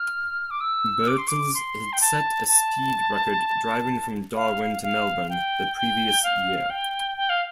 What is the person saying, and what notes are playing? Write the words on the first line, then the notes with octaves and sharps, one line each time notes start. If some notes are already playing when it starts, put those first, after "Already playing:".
Birtles had set a speed record driving from Darwin to Melbourne the previous year.
Already playing: F6
D6
E6
D6
C6
D6
C6
G5
A5
A5
F5
F5
G5
G5
F5
G5
G5
F5